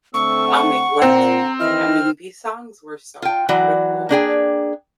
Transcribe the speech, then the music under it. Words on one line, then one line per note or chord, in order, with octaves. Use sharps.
I'll Make Love To You. I mean, these songs were so beautiful,
D3 A3 C4 C#6 E6
F#5
A#2 C4 A#5
D#3 E3 E4 D#5 F6
F4 G5
E3 F#3 F#4 D5
A#3 D4 G#4 G5